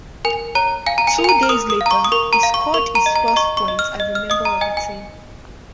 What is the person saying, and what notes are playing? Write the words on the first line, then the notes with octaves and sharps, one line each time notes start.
Two days later, he scored his first points as a member of the team.
A#4 G#5
C#5 A#5
F5 G#5
A#5
G#5
A#4
G#5
A#5
F6
A#4 D#6
D#6
F5
A#5
C#6
D#6
A#4 C#6
A#5
F5
C#6
A#4 C#6
A#5
D#5
A#5
A#5
D#5 C#6
C#6
D#5
F6
D#5
F6
D#5 D#6
A#5
D#5 G#5
G#5